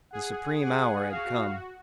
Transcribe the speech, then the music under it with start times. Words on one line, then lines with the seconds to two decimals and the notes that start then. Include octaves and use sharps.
The supreme hour had come.
0.12 G#4 F#5
0.62 G#4 F#5
1.11 F#4 F5